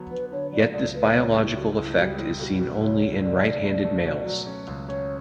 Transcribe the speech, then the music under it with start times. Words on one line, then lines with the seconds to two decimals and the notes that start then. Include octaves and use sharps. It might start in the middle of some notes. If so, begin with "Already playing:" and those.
Yet this biological effect is seen only in right-handed males.
Already playing: D3 F#3 B3
0.11 F#3 B4
0.32 D3 C#5
0.52 F#3 D5
0.73 C#2 D5
0.94 C#2 B4
1.14 C#2 C#5
1.36 G3 E4
1.56 C#2 F#4
1.77 C#2 E4
1.98 G3 F#4
2.18 G3 E4
2.39 B2 A4
2.44 F#4
2.60 B2
2.80 C#2 C#5
3.01 B2
3.22 B2 D5
3.43 C#2
3.64 A3
3.84 A3
4.05 B2
4.26 F#3
4.46 C#4
4.67 C#2
4.88 C#4 C#5